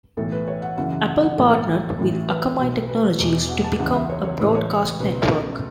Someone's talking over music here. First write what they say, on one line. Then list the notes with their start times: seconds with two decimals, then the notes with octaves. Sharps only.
Apple partnered with Akamai Technologies to become a broadcast network.
0.17 B1 A2 E3 A4
0.32 B4
0.48 C#5
0.62 F#5
0.78 F#1 F#2 C#3 E3 F#5
1.08 F#5
1.23 F#5
1.38 B1 A2 E3 A4
1.53 A4
1.98 A1 A2 E3
2.29 B4
2.58 B1 B2
2.88 B4
3.19 E1 E2 B2
3.49 F#5
3.64 A5
3.79 C#2 C#3 E3 F#5
3.94 E5
4.10 C#5
4.25 C#5
4.39 A1 A2 E3 B4
4.55 C#5
5.00 C#2 B2 B4
5.30 A4